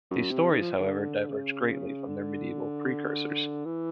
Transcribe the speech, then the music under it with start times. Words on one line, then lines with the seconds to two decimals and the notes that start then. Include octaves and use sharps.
These stories, however, diverged greatly from their medieval precursors.
0.11 F#2
0.30 C3
0.50 D#3
0.60 F3
0.80 D3
1.29 C#3
2.08 D3
3.65 E3